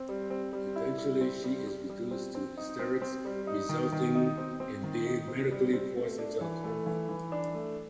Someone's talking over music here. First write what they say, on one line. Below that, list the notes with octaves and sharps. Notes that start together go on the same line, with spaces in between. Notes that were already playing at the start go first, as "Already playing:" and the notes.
Eventually she is reduced to hysterics, resulting in being medically forced into a coma.
Already playing: C4
G3
C4
G3
E4
G3
C4
G3
G3
G3
C4
C4
D#4
C4
C4
G3
D#4
D#3
D#3
D#4
C4
C4
D#3
D#4
C4
G3
C4
A3
D4
E3
A3
E3
E3
D4
A3